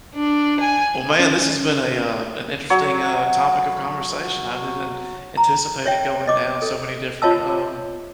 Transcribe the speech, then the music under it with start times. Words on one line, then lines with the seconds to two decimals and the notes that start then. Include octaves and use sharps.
Well, man, this has been a, uh, an interesting, uh, topic of conversation. I didn't anticipate it going down so many different, um,
0.15 D4
0.60 G#5
1.19 C#4
2.70 F#3 C#5
5.37 A#5
5.86 C#5 E5 G5
6.27 D#5 D6
6.62 A4
7.22 F4 C#5 D#5 F5 A5 E6